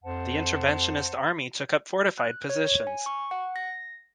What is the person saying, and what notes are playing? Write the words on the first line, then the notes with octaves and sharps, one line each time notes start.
The interventionist army took up fortified positions.
F2 C5 F#5 A5
F#6
C#5
G#5
C#6
F#5
A#6